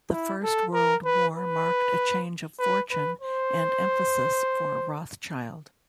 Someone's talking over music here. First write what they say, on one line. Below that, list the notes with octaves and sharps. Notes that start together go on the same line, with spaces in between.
The First World War marked a change of fortune and emphasis for Rothschild.
E4
A4
A#4
B4
B4
B4
B4
C5